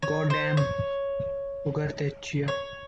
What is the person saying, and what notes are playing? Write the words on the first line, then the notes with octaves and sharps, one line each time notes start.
God damn Ugartechea.
C#5
C5
C#5
C#5